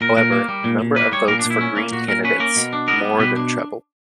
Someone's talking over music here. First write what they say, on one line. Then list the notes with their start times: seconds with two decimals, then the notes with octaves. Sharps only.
However, the number of votes for Green candidates more than trebled.
0.01 A#2 A#4
0.17 A#2 A#4
0.32 A#3
0.48 G3
0.64 A#2
0.81 A#2
0.96 A#3 B4
1.12 G3 C#5
1.28 A#2 A#4
1.39 D4
1.45 A#2
1.50 E4
1.61 C#4
1.77 A#3
1.92 A#2 F#4
2.08 A#2 A#4
2.25 C#4 B4
2.40 A#3 A#4
2.56 B2
2.73 D4
2.88 B3 A#4
3.04 G3
3.19 B2 B4
3.36 D4